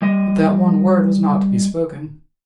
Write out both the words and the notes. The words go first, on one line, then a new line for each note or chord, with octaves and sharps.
But that one word was not to be spoken.
G3 D#5